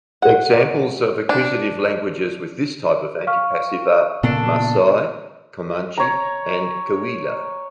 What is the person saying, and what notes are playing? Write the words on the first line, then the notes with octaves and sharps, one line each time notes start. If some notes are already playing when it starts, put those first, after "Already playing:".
Examples of accusative languages with this type of antipassive are Maasai, Comanche and Cahuilla.
F#5
D4
F5 C#6 F6
A#2 C#3 B3 D4 A4
C#5 A#5